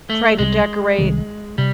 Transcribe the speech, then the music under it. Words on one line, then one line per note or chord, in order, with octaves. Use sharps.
try to decorate
A3
C2 C3 D#3 G3 G#3
C2 C3 D#3 G3
C3 G3